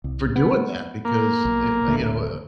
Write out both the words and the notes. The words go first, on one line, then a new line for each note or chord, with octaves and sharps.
for doing that because, uh uh you know a a
C2
B3
A#3
B1
D1 D3 A3